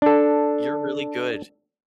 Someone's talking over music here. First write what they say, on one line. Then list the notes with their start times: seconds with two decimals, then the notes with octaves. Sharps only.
You're really good.
0.02 D4 A4